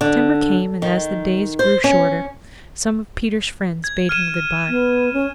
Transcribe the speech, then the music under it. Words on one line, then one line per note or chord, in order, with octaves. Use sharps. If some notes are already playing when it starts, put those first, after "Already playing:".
September came, and as the days grew shorter, some of Peter's friends bade him good-by.
D3
D#3
C5
C#4
G#6
F6 D#7 E7
B3
C#4